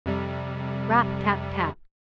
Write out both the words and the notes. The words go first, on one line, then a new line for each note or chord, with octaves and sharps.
Rap! tap! tap!
F2 C3 G3